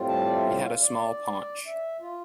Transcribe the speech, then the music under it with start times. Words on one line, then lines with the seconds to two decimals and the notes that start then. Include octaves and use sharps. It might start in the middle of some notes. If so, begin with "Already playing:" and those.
He had a small paunch.
Already playing: A2 G3 C4 F4
0.08 A5
0.25 D5
0.36 E5
0.48 F5
0.65 F5
0.81 D5
1.67 E5
2.00 F4